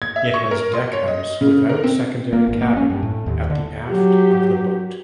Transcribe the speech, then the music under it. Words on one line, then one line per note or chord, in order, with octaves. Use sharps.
It has deckhouse without secondary cabin at the aft of the boat.
G#6
E5
C#6
A#4
C6
C#5
D#5
C#3
A#4
C4
A#3
G#1
A#3
C#4
G2
A2
D#2
D3
F#3 G4